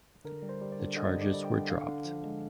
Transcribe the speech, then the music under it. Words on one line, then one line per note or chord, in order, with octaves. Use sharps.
The charges were dropped.
D3 A#4
G3
C5
G3
D5
D3
D3 D#5
G3
D5
G3
G5
D3
D3 F5
D3
F3
G#3